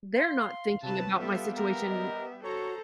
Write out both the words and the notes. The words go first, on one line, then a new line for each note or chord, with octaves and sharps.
they're not thinking about my situation,
F5 C6
C3 F#3 B4 A5
G3 B3 F4 G4 A4 E5 F5
A#4 E5
D#5
F#4 A4 C5 C#5 A#5